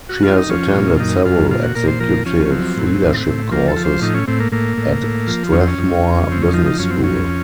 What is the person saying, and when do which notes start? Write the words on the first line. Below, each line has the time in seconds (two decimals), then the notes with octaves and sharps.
She has attended several executive leadership courses at Strathmore Business School.
0.09 F#4
0.23 F4
0.37 D#4
0.49 F3 C#4
0.76 A#2
0.97 F4
1.00 F#2 D#4
1.26 F#2 F4
1.51 A#2 F4
1.63 F#4
1.75 A#2 A#4
1.88 C5
2.00 F3 A#4
2.25 F3 C#4
2.45 C#4
2.51 F#3 C4
2.77 A2
3.01 A2
3.27 A2
3.51 F3 A#3
3.68 A4
3.76 F3
3.85 C5
4.01 A2 D#4
4.14 C#4
4.28 A2 C4
4.40 A#3
4.52 A2 A#3
4.77 A2
5.02 A2
5.27 F3
5.52 F2 C#4
5.60 C4
5.68 C#4
5.79 F2
6.03 F2
6.28 F2 C4
6.42 C#4
6.53 F3 D#4
6.66 D#4
6.79 F#2 C#4
6.91 C4
7.04 F2 C#4